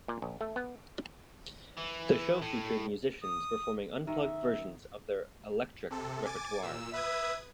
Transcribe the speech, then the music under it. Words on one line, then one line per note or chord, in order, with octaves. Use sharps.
The show featured musicians performing unplugged versions of their electric repertoire.
A#2
A#1
A3
B3
E3
A2
D#6
D#3 E5
C3 A4
G#5 D6 A6
A#2 E6
B4 E5 D#6 G#6